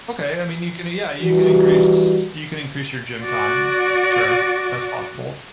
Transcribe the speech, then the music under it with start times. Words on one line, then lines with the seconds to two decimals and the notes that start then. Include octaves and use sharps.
Okay, I mean, you can yeah, you can increase you can increase your gym time, sure, that's possible,
1.22 E3 G3 F#4
3.25 F#4 D5